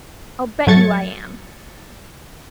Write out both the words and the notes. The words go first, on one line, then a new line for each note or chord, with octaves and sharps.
"I'll bet you I am!"
G#2 F#3 A3 G#6 A6 C#7